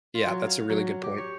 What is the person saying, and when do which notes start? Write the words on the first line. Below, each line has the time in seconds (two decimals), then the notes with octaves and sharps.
yeah, that's a really good point.
0.15 F4
0.27 F#3
0.47 F5
0.70 F#3
1.03 G4
1.18 C#5